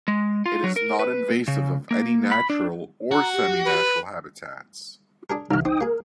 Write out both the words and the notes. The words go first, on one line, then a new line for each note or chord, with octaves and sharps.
It is not invasive of any natural or seminatural habitats.
G#3
F4
F#3
A#4
B4
C#3
A#3
B5
D4
F#4 A#5
G4
B4
D4 G#4 A#4
C2 E3 D#4 A#5 F6
C4 D#4 G5 D#6
A#3 G#4 A#4